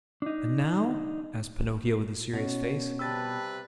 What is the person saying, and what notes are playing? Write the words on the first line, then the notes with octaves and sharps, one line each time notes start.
"And now?" asked Pinocchio with a serious face.
D4 D#4
B2 C#4 C#5
C3 G3 B4 G5 A5 E6 A6